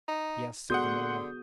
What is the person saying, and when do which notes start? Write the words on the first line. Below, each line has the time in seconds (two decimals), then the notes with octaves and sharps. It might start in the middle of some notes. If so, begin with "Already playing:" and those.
"Yes," said the mother.
0.08 D#4
0.70 D3 B3 F#4 G#4 F#5 C6 D#6 G6